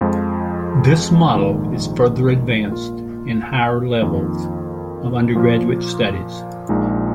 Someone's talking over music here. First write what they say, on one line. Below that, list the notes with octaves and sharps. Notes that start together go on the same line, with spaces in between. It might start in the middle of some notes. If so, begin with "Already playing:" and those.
This model is further advanced in higher levels of undergraduate studies.
F2 F3 G#3 F4
A#1 G#2 D#3
A#2 A#3 F4
F2 D#3 A#3 F4
A#2 F3 A#3 F4
A#1 A#2 G#3 D#4